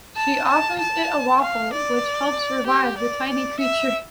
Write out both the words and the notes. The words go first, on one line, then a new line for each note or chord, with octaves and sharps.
She offers it a waffle, which helps revive the tiny creature.
A5
A5
A5
F5
D5
G4
D5
D5
E5